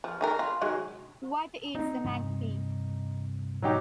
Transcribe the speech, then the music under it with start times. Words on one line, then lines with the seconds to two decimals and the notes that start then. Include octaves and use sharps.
What eats the magpie?
0.04 F3
0.21 D#3 D#4 A#4
0.39 F4
0.61 D#3 F#3 G#3
1.75 C4 D4 D#4
2.04 G2 C3
3.62 G#2 B2 F#3 G#3 D#4 G4